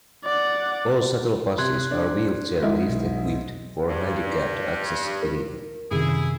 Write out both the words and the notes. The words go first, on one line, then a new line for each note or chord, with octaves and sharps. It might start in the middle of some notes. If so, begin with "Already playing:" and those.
All shuttle buses are wheelchair lift-equipped for handicapped accessibility.
D5 F#5
C3 C6 F#6 G#6
D4
G#2 E4 D#5
B1
G2
A#4
F#2 C3 D#3 E4 G#4